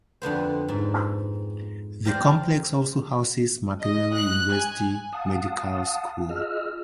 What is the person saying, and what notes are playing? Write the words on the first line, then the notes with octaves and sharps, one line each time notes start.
The complex also houses Makerere University Medical School.
F2 D3 B3 C5
G#2
C5 D5 F5 G5 A#5
D#5
F#6
G#5
F5 F#5 A5 D#6
F4 G#4 D#5 E6 F6